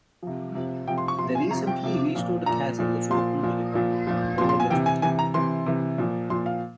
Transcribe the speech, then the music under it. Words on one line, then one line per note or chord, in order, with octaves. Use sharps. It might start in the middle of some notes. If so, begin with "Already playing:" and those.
The recently restored castle is open to the public and overlooks the town.
C3 F3
C3 F3
C3 F3 G5
C6
C#6
C3 F3 C6
G#5
C3 F3 A#5
G5
C3 F3
A#2 F3
A#2 F3 A#5
A#2 F3
A#2 F3 C6
A#2 F3
A#2 F3
A#2 F3
A#2 F3 C6
C6
G#5
C3 E3 G5
G#5
C3 E3 G#5
A#5
C3 E3 C6
C3 E3
A#2 F3
A#2 F3 C6
F5